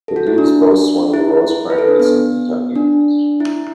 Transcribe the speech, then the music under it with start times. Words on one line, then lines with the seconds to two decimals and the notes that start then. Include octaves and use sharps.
Cadiz boasts one of the lowest crime rates in Kentucky.
0.08 A4
0.16 F#4
0.27 E4
0.38 D4
1.14 E4
1.70 B4
1.78 A4
1.88 D4
2.00 B3
2.75 D4
3.40 E4